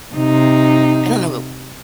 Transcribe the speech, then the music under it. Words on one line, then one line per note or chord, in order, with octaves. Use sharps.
I don't know,
C3 D#4